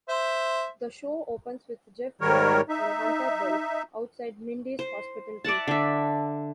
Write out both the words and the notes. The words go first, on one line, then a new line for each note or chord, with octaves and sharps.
The show opens with Jeff Bowen and Hunter Bell outside Mindy's hospital room.
C5 E5
G#2 D#3 G3 A#4 C#5
D#4 E5
C5
D5 E5 F#5 A5
D3 E5